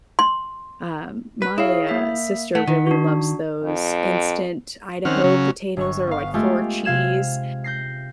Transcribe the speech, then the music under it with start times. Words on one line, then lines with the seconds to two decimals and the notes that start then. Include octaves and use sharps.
Um, my, uh, sister really loves those instant Idaho potatoes, or like four cheese.
0.19 C6
1.42 B4
1.58 E4 G#4 C#5 F5
1.89 A#3 E5
2.55 A3 F#5 B6
2.67 D#3
2.87 D4 F#4
3.64 F2
5.05 D#3 C4 C#4 F#5 F6
5.24 C#3 F#3 C#4
5.77 G1 C#6
6.07 B3 F5
6.34 G#3 A3 F4 G4 F5
6.85 C3 F5 G#6 E7
7.64 G6 A#6 C7